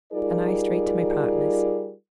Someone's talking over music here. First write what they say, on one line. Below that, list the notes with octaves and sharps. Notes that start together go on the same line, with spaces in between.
"And I straight to my partner's."
G3 D#4 F4 G#4 A#4 D5